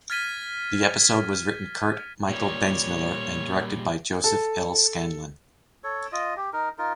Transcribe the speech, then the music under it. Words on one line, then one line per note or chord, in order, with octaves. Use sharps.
The episode was written Kurt Michael Bensmiller and directed by Joseph L. Scanlan.
F6 G#6 A6 B6 D#7 G7
A#2 G3 C#5
A4
A4 C#5
F4 D#5
G4
D#4 A#4
D#4 F4 A#4